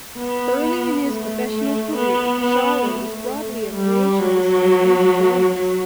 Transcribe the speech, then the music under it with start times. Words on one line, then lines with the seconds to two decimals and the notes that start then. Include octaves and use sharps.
Early in his professional career Shaler was broadly a creationist and anti-Darwinist.
0.17 B3
1.06 A3
1.51 A3
1.96 B3
2.41 B3
2.86 A3
3.74 G3
4.19 F#3
5.53 F#3